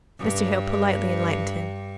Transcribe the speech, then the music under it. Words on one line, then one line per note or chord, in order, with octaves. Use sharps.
Mr. Hale politely enlightened him.
G2